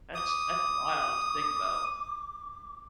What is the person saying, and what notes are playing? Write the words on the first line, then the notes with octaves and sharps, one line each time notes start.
That's that's wild to think about.
D6 D#6